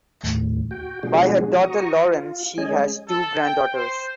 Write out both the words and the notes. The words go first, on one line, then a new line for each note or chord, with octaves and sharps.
By her daughter Lauren she has two granddaughters.
D#2 A2
F#4 G5
B2 F3 G#3 D4 F#4 G#4
F#4 A#5 C#6 D#6
F4
G#3 C#4 D#5 G#5
A4
G5
C5